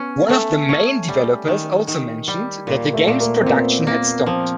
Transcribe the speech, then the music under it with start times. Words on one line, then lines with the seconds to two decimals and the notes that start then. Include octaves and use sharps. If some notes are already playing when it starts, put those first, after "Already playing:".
One of the main developers also mentioned that the game's production had stopped.
Already playing: B3 C#4
0.30 A3
0.69 C#4
1.08 G3
1.48 D#3
1.87 D#3
2.28 G3
2.67 A#2 A#3
2.94 A3
3.07 A#2
3.20 A#3
3.41 C4
3.46 A#2 B3
3.87 A#3
4.20 B3
4.26 F3 C4